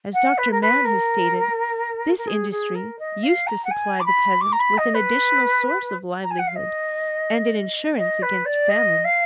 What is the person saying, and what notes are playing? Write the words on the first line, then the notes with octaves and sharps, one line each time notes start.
As Dr. Mann has stated, this industry used to supply the peasant with an additional source of livelihood and an insurance against famine.
F#5
B4
A#4
B4
A#4
A#4
G#4
G#4
A#4
D#5
F5
A#5
F#5
G#5
D6
B5
D6
A#5
B5
D#5
B4
A#5
G#5
F#5
F5
D#5
D#5
B4
D5
D#5
F5